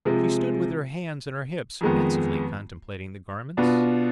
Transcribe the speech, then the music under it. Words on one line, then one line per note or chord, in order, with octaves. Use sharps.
She stood with her hands on her hips, pensively contemplating the garments.
C3 F3 G#3
F2 D#3 G#3 B3
B2 B3 D4 F4